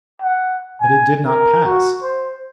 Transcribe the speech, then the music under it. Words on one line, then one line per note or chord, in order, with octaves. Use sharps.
But it did not pass.
F#5
G#5
A#4
F#4
C5